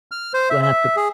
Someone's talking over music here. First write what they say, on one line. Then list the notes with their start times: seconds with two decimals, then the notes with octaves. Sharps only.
we'll have to
0.12 F6
0.34 C5
0.50 E5
0.62 E5
0.96 G#4